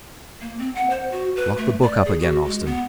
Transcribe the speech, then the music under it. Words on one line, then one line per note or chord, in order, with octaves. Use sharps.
Lock the book up again, Austin.
A#3
C4
F#5
C5
F#4
B4
A3
D5
G#4
F#4
G#3
B3